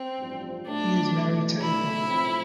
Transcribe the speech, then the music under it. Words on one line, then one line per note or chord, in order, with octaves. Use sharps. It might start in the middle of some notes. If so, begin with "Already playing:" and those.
He is married to Apryl.
Already playing: C4
A1 G2 F3
B1 B2 A3 D4
C2 B2 A3
B1 B2 A3 D4 E4
B1 A2 F3 C4